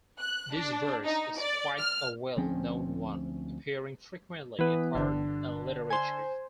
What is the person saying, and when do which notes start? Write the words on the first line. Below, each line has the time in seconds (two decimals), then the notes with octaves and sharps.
This verse is quite a well known one, appearing frequently in art and literature.
0.19 F#6
0.54 D4
1.04 D#4
1.39 D5
1.78 F6
2.37 D2 F3 C4 C#4
4.59 E3 B3
4.95 G1 D3 D4
5.90 C5 G#5